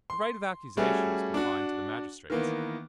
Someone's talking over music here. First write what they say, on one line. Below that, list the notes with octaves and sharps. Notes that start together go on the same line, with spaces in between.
The right of accusation was confined to the magistrates.
C6
G3 A3 C#4 F#4 G#4
D4 F#4
D#3 E3 A#3 B3